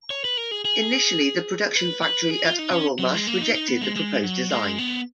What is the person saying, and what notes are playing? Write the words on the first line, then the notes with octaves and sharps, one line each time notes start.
Initially the production factory at Uralmash rejected the proposed design.
C#5
B4
A#4
G#4
G#4
B4
B4
G#4
F4
D#4
C#4
F#3
G#3
A#3
D#4
D#4
B3
G#3
G#3
F#3
G#3
B3